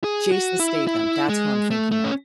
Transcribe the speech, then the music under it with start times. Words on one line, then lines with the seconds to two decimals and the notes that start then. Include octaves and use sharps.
Jason Statham, that's who I'm thinking of.
0.04 G#4
0.32 F#4
0.60 E4
0.87 E4
1.29 G#3
1.71 A3
1.92 A3
2.04 C#4